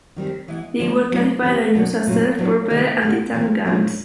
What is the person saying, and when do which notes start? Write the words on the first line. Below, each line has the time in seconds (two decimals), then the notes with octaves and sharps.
They were classified and used as "self-propelled anti-tank guns".
0.16 D#3 G3 C4
0.48 E3 G#3 B3
0.79 D3 F3 A3 D4
1.11 F#3 A3 D4
1.43 E3 G3 C4
1.75 B2 F#3 B3 D4
2.07 A#2 F#3 A3 C#4
2.38 A2 F#3 A3 D4
2.70 C3 D#3 G3 A#3 D#4
3.02 D3 G3 B3
3.34 E3 A3 C4
3.65 F#3 A#3 D4 F4